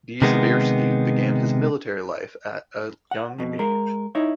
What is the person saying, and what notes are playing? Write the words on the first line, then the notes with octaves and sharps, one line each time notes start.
De Seversky began his military life at a young age.
C3 D#3 G#3 B3
F#5
F2 B2
G#3 A#4
D#4 E4 C#5